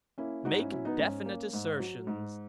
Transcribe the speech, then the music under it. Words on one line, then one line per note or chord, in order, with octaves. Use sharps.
Make definite assertions.
A#3 C#4 E4
G#2 D#4 F#4
C#4 E4
F#3 C#4 E4
B3 D#4
G#2 C#4
A#3
G#2
F#3
G#2